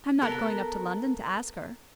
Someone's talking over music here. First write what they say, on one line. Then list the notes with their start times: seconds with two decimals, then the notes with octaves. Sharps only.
I'm not going up to London to ask her.
0.22 B3 A4 A#4